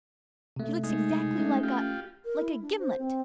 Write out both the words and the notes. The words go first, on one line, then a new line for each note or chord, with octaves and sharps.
"She looks exactly like a--like a gimlet."
C3 A3
G#3 D#4
A3 C#4
F4 G4
A#4
E4
D4
C5
C4